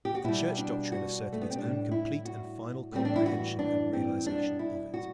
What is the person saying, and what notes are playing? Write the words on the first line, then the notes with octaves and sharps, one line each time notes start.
But the Church doctrine asserted its own complete and final comprehension and realization of it.
G4
F#4
B2 G3 E4
D4
F#4
A3
B3
C4
A2 G3 D4
E4
F#4
A2 E3 G3 C4
D4
E4
F#4
D4
C4
B2 G3 D4
E4
F#4